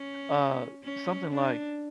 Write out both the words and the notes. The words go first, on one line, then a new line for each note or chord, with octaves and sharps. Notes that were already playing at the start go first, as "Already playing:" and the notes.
uh, something like,
Already playing: C#4
C#4
D4